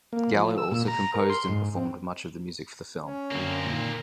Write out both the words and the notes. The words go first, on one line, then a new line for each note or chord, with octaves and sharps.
Gallo also composed and performed much of the music for the film.
A#3
F3
E6
A#2
A#5
A#4
C6
G#2
C4
C#4
F#2 D3 A#3 C4
A#2 D3 D#3